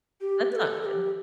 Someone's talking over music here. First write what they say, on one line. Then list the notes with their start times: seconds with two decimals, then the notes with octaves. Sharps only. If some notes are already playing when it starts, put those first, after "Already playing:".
That's not good.
0.21 G4
0.51 B4
0.56 A4
0.82 A4
0.85 G4